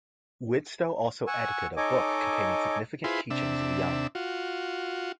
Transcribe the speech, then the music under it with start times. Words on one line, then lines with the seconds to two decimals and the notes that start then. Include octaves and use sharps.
Widtsoe also edited a book containing significant teachings of Young.
1.27 F#5 G#5 C#6 E6
1.77 D#4 A4 C#5 D#5 G#5 D6
3.04 E4 F4 G#4 B4 C5
3.30 C3 D4 E5
4.15 F4 F#4